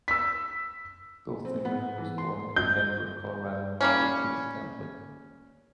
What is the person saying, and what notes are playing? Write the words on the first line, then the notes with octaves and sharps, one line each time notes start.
Bill Finger was born in Denver, Colorado, to a Jewish family.
E6 B6
C4
B3
E3
C6
G6
G3 A#3 C#4